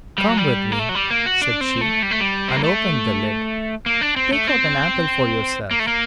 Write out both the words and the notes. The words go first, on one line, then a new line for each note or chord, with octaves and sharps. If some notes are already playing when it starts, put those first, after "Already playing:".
"Come with me," said she, and opened the lid; "pick out an apple for yourself."
G3
F#3
G3
A#3
A3
F#3
G3
A#3
F#4
D4
C4
A3
G3
A3
G3
C4
A#3
A3
A#3
D4
C4
A3
C4
A#3
A3
A#3